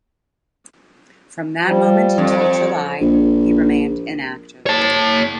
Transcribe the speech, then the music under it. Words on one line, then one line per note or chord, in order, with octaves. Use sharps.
From that moment until July, he remained inactive.
F3 G3
F2
A#1
C#5 A5